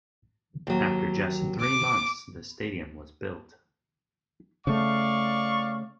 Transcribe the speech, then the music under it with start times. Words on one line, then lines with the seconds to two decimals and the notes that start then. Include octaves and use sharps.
After just three months, the stadium was built.
0.67 D#2 F#3
1.61 D6
4.67 C#3 A3 D5 F5 C#6